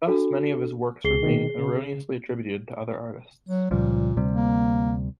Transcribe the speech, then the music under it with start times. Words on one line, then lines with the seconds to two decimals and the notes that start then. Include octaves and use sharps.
Thus, many of his works remain erroneously attributed to other artists.
0.07 D4 F#4 A4
1.04 C#2 G#4 C7 G7
1.23 B2 D#3
1.59 C#3
3.49 F#3
3.71 C#2 A#2 F3 G3
4.17 D2 C3 G3
4.33 A#3